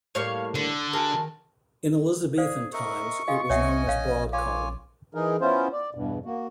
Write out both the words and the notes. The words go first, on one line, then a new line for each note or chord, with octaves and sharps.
In Elizabethan times, it was known as Broad Coombe.
A2 G3 A#3 C#5 F5 C#6
D3 D4
F#4 G#4 A#4 A5
G#4 C5 D5 F5
A#4 D#5 E5 C#6
F4 G#4 D#5 F5
C2 C#4 C#5 D#5 E5 F#5 G#5
A#1 C#5 F5
F4 C#5 F5 G#5 D6
E3 D#4 G#4 A#4
B3 C#4 E4 F4 C5
D5
E2 G2 B2
A#3 F#4